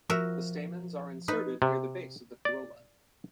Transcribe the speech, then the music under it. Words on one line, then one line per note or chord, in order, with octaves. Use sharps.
The stamens are inserted near the base of the corolla.
F3 F#4 A#4 E5
D#4 B4
C3
D5